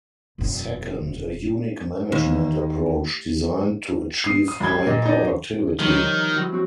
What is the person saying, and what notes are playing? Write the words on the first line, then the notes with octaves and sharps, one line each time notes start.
Second, a unique management approach designed to achieve high productivity.
E1 F#2
D#2
D#6 C7
D#6
C2 F#3 B5 G#6 G7
G3
A#2 D#5
D#4 D5
D#3 F3 G3 C#5
F3 F#3 E4
C4 F#4